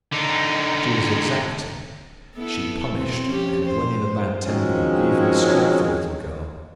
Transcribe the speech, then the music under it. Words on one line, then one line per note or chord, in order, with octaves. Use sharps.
She was exacting; she punished, and, when in a bad temper, even struck the little girl.
D3 D#4
B3 E4 A4
B2 C4
F3 C#4 G4
C5
D#3 F3 F#3 G#3 C4 C#4